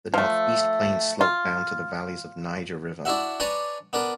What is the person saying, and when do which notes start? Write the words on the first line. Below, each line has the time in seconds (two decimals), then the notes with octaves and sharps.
The northeast plains slope down to the valleys of Niger river.
0.14 F3 A3
1.21 F4
3.05 D4 E4 F#4 E5 F#5
3.40 D4 B4 C#5 D5 G#5 A#5
3.93 B3 D4 A#4 B4